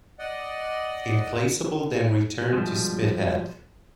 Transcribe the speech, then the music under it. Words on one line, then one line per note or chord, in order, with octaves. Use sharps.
"Implacable" then returned to Spithead.
D5 D#5 F#5
G2 B2 F3 G3 G#3